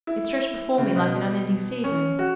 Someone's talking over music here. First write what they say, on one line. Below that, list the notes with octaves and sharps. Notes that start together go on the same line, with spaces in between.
It stretched before me like an unending season.
E4
C#3
B2
C#4
F#4